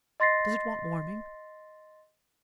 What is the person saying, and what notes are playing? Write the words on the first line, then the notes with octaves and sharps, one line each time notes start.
Does it want warming?
D#5 C6 A6 A#6 C7